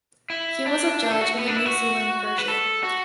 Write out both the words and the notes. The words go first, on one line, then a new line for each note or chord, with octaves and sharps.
He was a judge in the New Zealand version.
E4
D4
D4
A4
F#4
B3
D4
E4
F#4
B4
A4
F#4